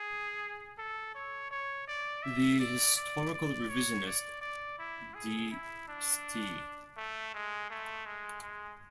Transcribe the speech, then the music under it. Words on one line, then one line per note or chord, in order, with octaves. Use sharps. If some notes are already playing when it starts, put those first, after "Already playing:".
The historical revisionist De Ste.
Already playing: G#4
A4
C#5
C#5
D5
E5
D5
D5
D5
C#5
D5
D5
E4
G#4
E4
D4
A3
G#3
A3
G#3
G#3